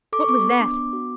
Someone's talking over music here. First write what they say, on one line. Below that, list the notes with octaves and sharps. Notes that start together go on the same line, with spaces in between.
"What was that?"
A4 D6
C#6
B3 D6
B3
D4
B3
F#4